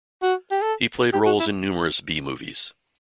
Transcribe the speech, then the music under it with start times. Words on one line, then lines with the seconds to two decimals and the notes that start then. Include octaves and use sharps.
He played roles in numerous B movies.
0.22 F#4
0.51 G4
0.62 A4
1.13 G4
1.26 F#4
1.40 E4